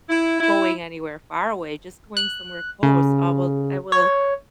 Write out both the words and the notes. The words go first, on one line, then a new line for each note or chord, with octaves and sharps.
going anywhere far away, just going somewhere close. I will I will
E4
E4
F#6
C#3
C#5